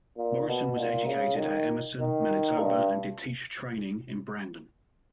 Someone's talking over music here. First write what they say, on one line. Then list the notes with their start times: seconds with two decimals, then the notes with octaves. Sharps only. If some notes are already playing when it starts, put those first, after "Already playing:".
Morrison was educated at Emerson, Manitoba, and did teacher training in Brandon.
0.17 A#2
0.48 B2
0.79 A#2
1.09 C#3
1.38 D#3
1.99 D#3
2.59 G2